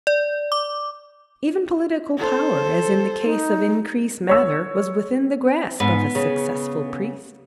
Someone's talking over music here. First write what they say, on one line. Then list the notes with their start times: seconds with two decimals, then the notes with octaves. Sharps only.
Even political power--as in the case of Increase Mather--was within the grasp of a successful priest.
0.07 D5
0.52 D6
2.17 A4 C5
3.24 D#4
4.29 C#5 E6
5.80 G#2 B3 B4
6.15 C#3